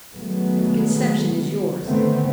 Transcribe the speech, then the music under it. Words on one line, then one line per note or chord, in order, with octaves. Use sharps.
But the conception is yours.
B2 D#3 F#3 G#3 A3 B3
D3 D#3 A3 B3 C4